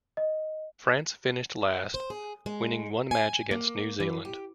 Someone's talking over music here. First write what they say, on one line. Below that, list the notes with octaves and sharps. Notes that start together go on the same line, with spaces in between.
France finished last, winning one match against New Zealand.
D#5
C5
G#4
G#3
G#5
A#3
E3
G4